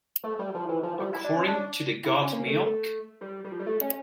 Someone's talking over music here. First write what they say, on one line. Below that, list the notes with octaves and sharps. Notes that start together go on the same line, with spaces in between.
According to the Got Milk?
A3
G3
F3
E3
F3
G3
E4
D4
C#4
D4
E4
D4
C#4
A#3
A3
G3
G3
F3
G3
A3
C#4